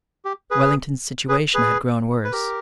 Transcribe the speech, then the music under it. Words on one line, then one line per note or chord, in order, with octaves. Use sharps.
Wellington's situation had grown worse.
G4
G#4 B4
G#4 B4
G#4 B4
B4
G4 A#4